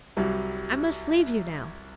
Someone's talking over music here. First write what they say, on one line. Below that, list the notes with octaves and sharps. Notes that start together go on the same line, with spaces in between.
I must leave you now.
C2 F#3 G3